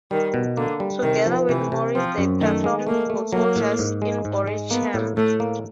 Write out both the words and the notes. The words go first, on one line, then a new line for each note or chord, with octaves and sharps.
Together with Morris they performed for soldiers in Gorinchem.
D#3 G3
B2
D3 A#3
G3
C3 D#3
F3
C3 E3
C3
F3 C4
F#2
D#3 A3
G#3
A3 A#3
A3
F#3 A#3
A2
G#2
G#3
G#2
G#3
A#3 B3
A2
A2 A3
A#3